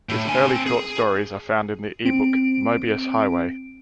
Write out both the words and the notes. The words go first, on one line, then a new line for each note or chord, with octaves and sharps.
His early short stories are found in the ebook "Mobius Highway".
A2
D3 G#5
C4
G#4
C4 D7